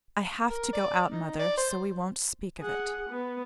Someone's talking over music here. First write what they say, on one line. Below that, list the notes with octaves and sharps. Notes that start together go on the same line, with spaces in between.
'I have to go out, mother, so we won't speak of it.'
A#4
D5
D#4
D5
C5
G#4 F#5
B3